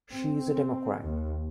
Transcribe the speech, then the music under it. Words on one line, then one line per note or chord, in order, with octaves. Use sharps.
She is a Democrat.
C4
D#2